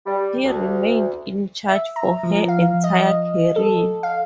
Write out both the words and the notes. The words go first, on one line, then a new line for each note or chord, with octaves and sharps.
He remained in charge for her entire career.
G3
D2
E5
A#5
F3
F5
D#5
A4
F5